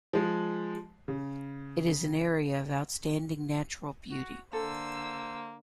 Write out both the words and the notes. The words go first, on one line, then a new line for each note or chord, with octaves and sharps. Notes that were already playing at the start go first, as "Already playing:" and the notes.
It is an area of outstanding natural beauty.
F3 G#3
C#3
F#4
D3 A#3 A4 C5 E6